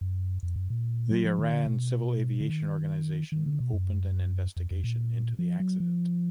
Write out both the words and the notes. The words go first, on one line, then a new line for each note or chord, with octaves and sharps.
The Iran Civil Aviation Organization opened an investigation into the accident.
F#2
F2
F#2
A#2
F#3
F3
D#3
D3
B2
D3
D#3
D#3
D3
B2
F#2
F2
F2
A#2
F3
F#3
F3